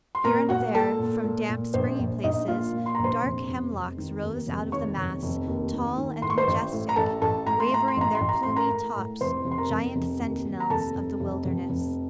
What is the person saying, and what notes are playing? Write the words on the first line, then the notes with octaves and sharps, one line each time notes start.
Here and there, from damp, springy places, dark hemlocks rose out of the mass, tall and majestic, waving their plumy tops, giant sentinels of the wilderness.
C6
A#2 A#4 A#5
A#2 F#4 F#5
A#2 A4 A5
A#2
A#2
A#2
A#1 C5
A#1
A#1 D#4 D#5
A#2 F4 F5
A#2
C6
A#1 A#5
C5 C6
F1
F1
F1
D#3
D#2
F1
D#3 C#5 C#6
F1
F1
D#2
D#3
D#3
A2 C6
C#6
C5 C6
A1
A2
A#5
A1 A4 A5
A1 A4 A5
A2 A#5
C6
A2 A#5
C6
A1 A#5
C6
A1
A#5
A2 C6
A#4 A#5
A2
A2
F1 C5 C6
F1
C6
A#4 A#5
F1
F1
D#2
D#2
A#5
F1 A4 A5
F1
F1
F1
F1